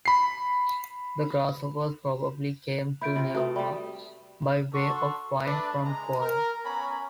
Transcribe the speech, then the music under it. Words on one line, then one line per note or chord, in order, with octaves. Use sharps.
The grasshoppers probably came to Nihoa by way of wind from Kauai.
B5 C7
E4 F4 B5 G6 D7
C3 F4
A3 F#4 B4 D#6
G3 A3 D5 G5 B5
D4 F#4 A4 C6 C#6
A3 D4 B4
G#3 A#5
A#4
B3 C#4 C#5 G#5 A#5 B5